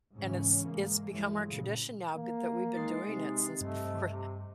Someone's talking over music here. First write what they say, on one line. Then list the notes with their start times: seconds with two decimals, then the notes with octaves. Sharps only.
and it's it's become our tradition now th that we've been doing it since before
0.15 G#2 C#3 E3 F#3 C#4
0.63 G#2 G#3 A#3
1.10 G2 E3 F#3 G#3 A3
1.47 A#2 C#3
2.15 A#3
2.73 G#3 D#4 A6 C7
3.07 C3 D#4
3.61 G2 A3 D#5
4.09 C3